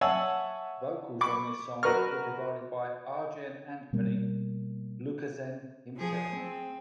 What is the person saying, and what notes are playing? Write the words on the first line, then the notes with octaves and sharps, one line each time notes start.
Vocals on this song were provided by Arjen Anthony Lucassen himself.
C#5 E5 F#5 G#5 A5 E6
B5 C#6 D6
F#4 A#4 B4 A#5 C#6 F6
B2 G3 A#3
F3 G#4
C4